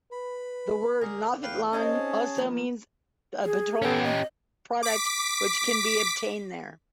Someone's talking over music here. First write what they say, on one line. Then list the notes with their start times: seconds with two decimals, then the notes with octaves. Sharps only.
The word "naftalan" also means a petroleum product which can be obtained there.
0.12 B4 B5
1.01 D3 G#4 A#4
1.43 E2 B4 F5 G5
1.73 C4 C#4 D#4 G#4 C#5 D#5 A5
2.36 D#3 F3 A#3
3.44 G#4
3.82 C#4 G4 A4
4.03 D#5
4.83 D6 B6